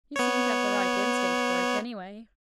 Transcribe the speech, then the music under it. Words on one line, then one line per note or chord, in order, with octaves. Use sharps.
"You seem to have the right instinct for it, anyway."
B3 C#5